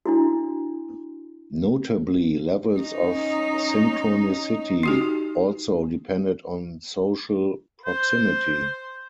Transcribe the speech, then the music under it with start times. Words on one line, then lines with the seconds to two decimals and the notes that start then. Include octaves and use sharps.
Notably, levels of synchronicity also depended on social proximity.
0.06 D4 E4 F#4
2.76 C#4 D#4
4.83 D#4 F#4 G4
7.85 C5